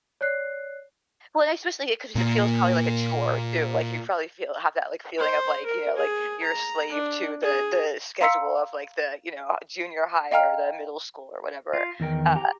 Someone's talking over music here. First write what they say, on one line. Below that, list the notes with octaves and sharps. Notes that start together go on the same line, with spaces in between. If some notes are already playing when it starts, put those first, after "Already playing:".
Well, I especially 'cause it feels probably like a chore too, like, you probably feel have that, like, feeling of, like, you know, like, you're a slave to the the schedule of, like, the, you know, uh, junior high or the middle school or whatever, uh,
C#5 D5 F#6 C7
A#2 A#3
C5
A#4
G#4
A#5
D4
G#4
F5 A#5 C6 E6 B6 C#7
D#5 F5 G5 A#5 F6
F4
E2 D#3 A#4 G5
G4 A#5